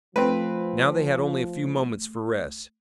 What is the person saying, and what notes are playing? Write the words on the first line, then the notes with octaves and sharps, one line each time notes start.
Now they had only a few moments for rest.
F3 A3 C4 B4